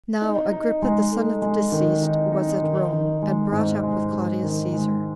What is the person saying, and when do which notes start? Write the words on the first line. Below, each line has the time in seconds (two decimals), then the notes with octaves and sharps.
Now Agrippa, the son of the deceased, was at Rome, and brought up with Claudius Caesar.
0.22 D#4
0.52 D#4
0.82 G#3
1.12 A4
1.42 G#3
1.72 D#3
2.02 D#4
2.32 D#4
2.62 D#3
2.93 D#3
3.22 G#3
3.52 G#2
3.83 G#3
4.12 G#3
4.43 D#3
4.73 G#3